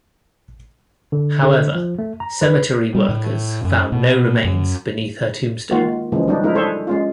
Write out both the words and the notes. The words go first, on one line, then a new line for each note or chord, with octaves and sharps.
However, cemetery workers found no remains beneath her tombstone.
D3
D3
F3
A3
A#5
B4
G3
A2
F#2
B2
F#2
D#3 G#3 A#3 F4 F#4
C#3 E3 F3 G#3
F#3 G3 D4 D#4
F3 G#3 D#4 E4 A#4
D4 E4 G#4 A4 C5 C#5
G#3 C#4 F4